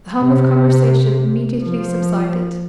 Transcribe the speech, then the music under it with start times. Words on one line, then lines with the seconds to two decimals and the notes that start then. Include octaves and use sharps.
The hum of conversation immediately subsided.
0.20 C3
1.64 F3